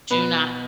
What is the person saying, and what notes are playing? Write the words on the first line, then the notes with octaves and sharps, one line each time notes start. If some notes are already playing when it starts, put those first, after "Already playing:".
do not
B2 B3 B4